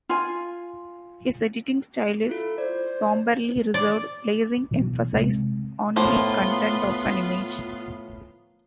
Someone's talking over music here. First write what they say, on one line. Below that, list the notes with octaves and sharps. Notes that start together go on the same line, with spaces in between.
His editing style is somberly reserved, placing emphasis on the content of an image.
F4 G#5
E4 F4 A4
C5 D5
D5
B2 E3 F#3
C3 G#3 C4
A2 F3 A#3 B3 F4 C6